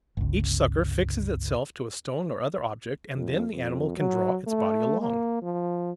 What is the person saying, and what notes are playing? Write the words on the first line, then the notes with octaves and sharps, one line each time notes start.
Each sucker fixes itself to a stone or other object, and then the animal can draw its body along.
G1 C#2
F2
F2
F#3
A3
A#3
F3